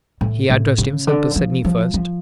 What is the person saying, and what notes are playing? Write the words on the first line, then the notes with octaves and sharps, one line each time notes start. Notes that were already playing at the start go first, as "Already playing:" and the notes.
He addressed himself to Sydney first.
A2
A2
C#3
D3
F3
F3
F3